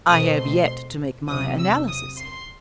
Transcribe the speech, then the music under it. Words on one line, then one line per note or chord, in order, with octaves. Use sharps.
"I have yet to make my analysis."
B2 A3 C4 D#6
C6
E2 C3 F#3 D#6
E6
D#6
C6